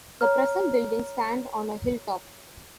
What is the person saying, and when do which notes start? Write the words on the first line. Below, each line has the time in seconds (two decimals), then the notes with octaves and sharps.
The present building stand on a hilltop.
0.21 C#5 A#5 F6